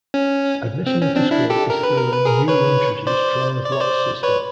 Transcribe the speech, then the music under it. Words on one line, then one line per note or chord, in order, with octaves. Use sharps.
Admission into school is through a newly introduced draw of lots system.
C#4
C4
C#4
C4 D4
D4 E4
G4 A4
A#4
B4
A#4
B4
G#4 A#4
B4 C#5
C5 D5
D5
C#5
C5 D5
B4 C#5